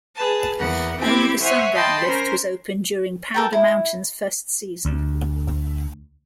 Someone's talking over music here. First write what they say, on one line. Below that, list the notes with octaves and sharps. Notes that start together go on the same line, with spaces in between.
Only the Sundown lift was open during Powder Mountain's first season.
G#4 B4 A5
E2 A#3 B3 F#5
C4 E4 G4 D6 G#6
C5 C#5 E5 F#5 G#5
D#5 G5 A5 B5 C6
C#4 A#4 C5
A4 A#4 G5
E4
D2